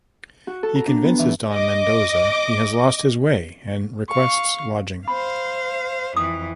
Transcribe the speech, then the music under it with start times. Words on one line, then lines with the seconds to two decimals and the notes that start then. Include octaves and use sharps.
He convinces Don Mendoza he has lost his way and requests lodging.
0.47 F#4
0.63 A4
0.75 A#5
0.87 D4
1.04 B3
1.19 E3
1.52 D#5 D6
4.09 F5 C#6
5.08 C5 F5 B5
6.17 F2 E3 D#6